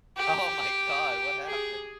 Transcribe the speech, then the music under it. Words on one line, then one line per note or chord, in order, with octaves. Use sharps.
Oh my God, what happened?
G4
G#4